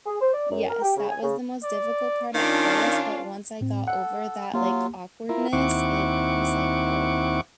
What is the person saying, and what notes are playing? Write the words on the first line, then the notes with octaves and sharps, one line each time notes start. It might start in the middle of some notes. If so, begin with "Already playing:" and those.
Yes, that was the most difficult part at first, but once I got over that, like, awkwardness, it was, like, "Oh,"
G#4
C5
D5
F#2
A#4
G4
C#3
G#5
C#3
D5
D#3 C#4 D4 F4 F5
A2 C4
A4 F#5
F#3 A#3 F4 G4
E4 F4 A#4
D#2 C4 E4 F#5 C#6 D6